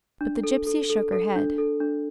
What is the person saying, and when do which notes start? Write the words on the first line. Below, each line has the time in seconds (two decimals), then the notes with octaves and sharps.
But the gipsy shook her head.
0.21 D4
0.44 A4
0.67 A4
0.90 A4
1.13 A4
1.36 D4
1.58 A4
1.80 D4